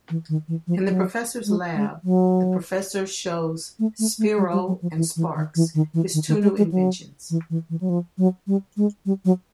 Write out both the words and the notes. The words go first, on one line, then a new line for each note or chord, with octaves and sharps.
In the Professor's lab, The Professor shows Spyro and Sparx his two new inventions.
E3
D#3
E3
F3
F#3
G#3
G#3
F#3
A3
A3
A3
G3
G3
F#3
F3
E3
E3
D#3
E3
D#3
E3
D#3
D#3
G#3
G#3
F#3
E3
E3
E3
F#3
F3
F#3
G3
G#3
G3
F#3